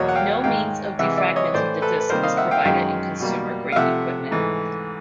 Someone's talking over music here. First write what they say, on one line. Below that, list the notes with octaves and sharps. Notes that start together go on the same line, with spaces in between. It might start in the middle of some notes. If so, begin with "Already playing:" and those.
No means of defragmenting the disc is provided in consumer grade equipment.
Already playing: E2 B2 F#3 A#3 C#5 D#5
F#5
F5 G5
G#2 D#3 G#3 F5 G5
C3 E3 G#3 E5 F#5
D5 E5
C#5 D#5
A2 E3 A3 C5 D5
A4 B4
B4
C3 D#3 G3 A#3 A#4 C5
D#5 F5
E5 F#5
F5 G5
F#2 D#3 G#3 F5 G5
B2 G3 A#3
F5
C3 F3 A3 E5 F#5
G#2 E3 A3